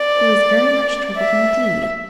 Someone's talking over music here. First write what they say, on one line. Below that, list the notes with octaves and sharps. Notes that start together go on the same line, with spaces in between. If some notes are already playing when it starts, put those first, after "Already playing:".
He was very much troubled, indeed.
Already playing: D5
E5